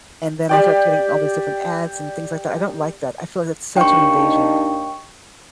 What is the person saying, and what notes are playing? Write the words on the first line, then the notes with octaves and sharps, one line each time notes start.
and then I start getting all these different ads and things like that. I don't like that. I feel like that's such an invasion,
G4 D5 G5
D#2 D4 D#4 G5 C#6